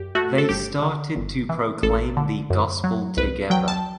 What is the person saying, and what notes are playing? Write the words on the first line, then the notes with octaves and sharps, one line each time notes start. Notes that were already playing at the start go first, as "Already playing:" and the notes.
They started to proclaim the Gospel together.
Already playing: F#2 G4
A3 F#4
A4
G1 G4
D3
G1
E3
A1 A4
D3
F#2
F#3
C2 B4
F#3 G5
A5